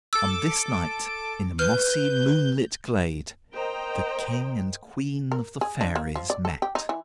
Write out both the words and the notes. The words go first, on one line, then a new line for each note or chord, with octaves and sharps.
On this night, in a mossy moonlit glade, the King and Queen of the fairies met.
A4 D6 E6
B4 F6 G6
A#4 C5 D#5 G5 A#5
A#4
G#4
D4
A#3
F3
D5
A4
G4
D#4
E3